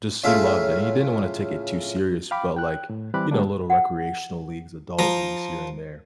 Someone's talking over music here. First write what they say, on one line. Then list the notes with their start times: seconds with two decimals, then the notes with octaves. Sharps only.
just he loved it, and he didn't wanna take it too serious, but, like, you know, little recreational leagues, adult leagues here and there.
0.24 A2 C#3 F4 E5 F5
2.31 F5 G5 B5 D6
2.56 G5 F#6
2.89 A2
3.14 E3 G3 C4 B5 D6 F#6
3.31 D3 G3 G#3 A#3 D4
3.70 F#5
4.99 F3 A#5